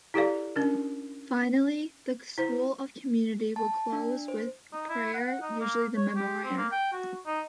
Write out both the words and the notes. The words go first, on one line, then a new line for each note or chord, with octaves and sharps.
Finally, the School of Community will close with prayer, usually the Memorare.
E4 G4 A4 D5 F5
C#4 D4 A#4
E4 C5
A5
D4
C5
D#4
E4
F#5
D#4
A#3
C#5
G4
C4
A#3
G5
F#4
D#4